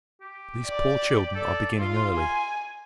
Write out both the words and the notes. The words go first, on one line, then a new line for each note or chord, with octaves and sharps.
These poor children are beginning early.
G4
D5
A4 D5
F4 C6
G#5